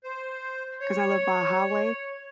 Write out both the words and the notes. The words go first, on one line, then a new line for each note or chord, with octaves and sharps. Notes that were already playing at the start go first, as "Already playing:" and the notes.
cause I live by a highway,
C5
C#5